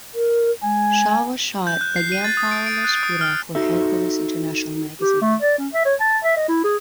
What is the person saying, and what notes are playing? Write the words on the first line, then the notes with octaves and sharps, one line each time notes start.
Shaw was shot by Giampaolo Sgura for Hercules International magazine.
A#4
G#3 G#5
G6
F#6
C7
D#7
A6
D#6
D7
D7
F#6
D#6
F6
D#4 F#4 A4 E5
G4
A3
D5
C#4
E5
C#5
A5
E5
D#5
E4
G#4